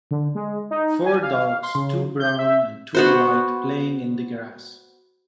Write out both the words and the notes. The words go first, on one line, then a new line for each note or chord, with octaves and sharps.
Four dogs two brown and two white playing in the grass.
D3
G#3
D#4
G#5
F5
C6
C#3
G6
E5
B3 F#4 C5